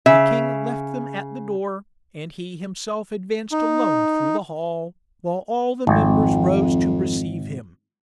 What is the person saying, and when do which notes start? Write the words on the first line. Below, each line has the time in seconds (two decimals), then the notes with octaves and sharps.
The king left them at the door, and he himself advanced alone through the hall, while all the members rose to receive him.
0.06 C#3 E5
3.52 D#4
5.87 G#1 F2